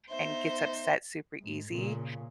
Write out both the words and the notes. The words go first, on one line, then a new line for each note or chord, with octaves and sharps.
and gets upset super-easy,
B3 D#4 C5 E5
G#2
A#2 C#3